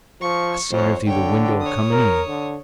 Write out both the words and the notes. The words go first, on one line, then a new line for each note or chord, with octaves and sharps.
I seen her through the window a-comin' in.
F3 C#6
F2 C5 C#5
D3 C#5 G5
C#5 D#6
A#4
D3